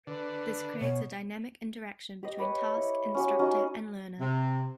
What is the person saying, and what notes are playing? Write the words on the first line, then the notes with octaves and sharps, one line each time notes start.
This creates a dynamic interaction between task, instructor and learner.
D3 B4
B2 C#5
G4 D#5
G4 B4 C#5
E4
C#4 F#4 G4
C#4 D#4 F#4
C3